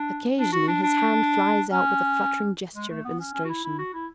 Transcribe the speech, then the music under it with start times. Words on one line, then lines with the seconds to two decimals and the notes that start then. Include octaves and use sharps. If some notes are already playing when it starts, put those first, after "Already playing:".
Occasionally his hand flies out with a fluttering gesture of illustration.
Already playing: D4
0.38 D4
0.52 F#4
0.67 D4
0.82 D4
1.72 C#4
2.75 G#3
2.89 A3
3.05 B3
3.19 C#4
3.34 C#4
3.45 F#4
3.49 E4
3.64 E4
3.79 F#4
3.94 E4